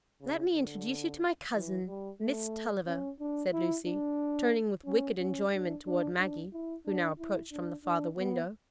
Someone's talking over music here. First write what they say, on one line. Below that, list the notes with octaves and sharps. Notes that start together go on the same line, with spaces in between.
"Let me introduce you to my cousin, Miss Tulliver," said Lucy, turning with wicked enjoyment toward Maggie, who now approached from the farther window.
C#3
D3
E3
G3
A3
C#4
D4
E4
D4
C#4
C#4
D4
D4
D4
E4
D4
E4
D4
D4
B3